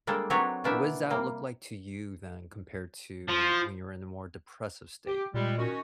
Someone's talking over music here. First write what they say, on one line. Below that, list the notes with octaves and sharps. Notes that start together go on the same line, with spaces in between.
what does that look like to you then compared to when you're in a more depressive state?
G3 G#3 A#3 D4 A4
F#3 C4 D4 D#4 B4 C#5
B2 E3 A#3 D4 G4 E5
C3 G3 A#3
F3 C6
G4
A#2 G3 G#3
D#3 C#4 F#4